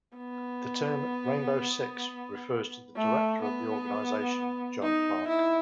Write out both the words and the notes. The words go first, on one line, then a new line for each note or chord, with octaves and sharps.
The term "Rainbow Six" refers to the director of the organization, John Clark.
B3
A3
B3
D#4
E4